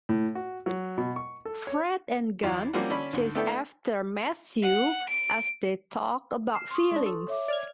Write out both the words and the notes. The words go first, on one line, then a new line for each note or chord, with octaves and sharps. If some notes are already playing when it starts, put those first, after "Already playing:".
Fred and Gunn chase after Matthew as they talk about feelings.
A2
F#4
F#3
B2
C#6
A4
C#5
E2 F4 D5
F3 G3 A#3 C4 C#4 F#4
D3 C#4 D4 B5
D2 G#2
A3 B3 D4 E4 A4 G5
F#5
D7
F6 C7 E7
C6 C#6 D#6 F6
G#3 D4
A4
C#5 E5 D6
D5 F6 G#6